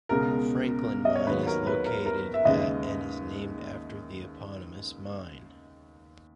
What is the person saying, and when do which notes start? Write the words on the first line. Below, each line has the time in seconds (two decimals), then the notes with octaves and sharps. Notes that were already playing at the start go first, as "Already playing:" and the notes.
Franklin Mine is located at and is named after the eponymous mine.
0.09 C#2 B2 G#3 A#4
1.05 D#5
1.15 C#5
1.27 D#2 D#3 F#3 B4
1.46 A#4 C#5
1.67 B4
1.86 A#4
2.06 A#4
2.34 E5
2.45 D#2 C#3 G#3 B4 D#5